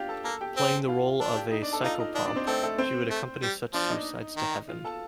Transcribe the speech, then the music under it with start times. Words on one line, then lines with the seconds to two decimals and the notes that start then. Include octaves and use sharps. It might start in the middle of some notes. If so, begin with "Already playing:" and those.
Playing the role of a psychopomp, she would accompany such suicides to heaven.
Already playing: D4 F4 G4 F5 G5
0.09 A4 A5
0.24 A#3 A4 A5
0.41 G4 G5
0.57 C4
0.88 F4 F5
1.20 D4 A4 A5
1.36 G4 G5
1.51 D#4 D#5
1.62 D4 D5
1.73 A4 A5
1.83 D#4 F4 F5
2.00 D#4 D#5
2.15 D4 D#4 D#5
2.26 D4 D5
2.36 C4 C5
2.47 A3 C4 A4
2.63 A3 A4
2.78 C4 C5
3.10 A3
3.42 G3
3.74 F3 D4 D5
3.90 D#4 D#5
4.37 D#3
4.69 F4 F5
4.85 A4 A5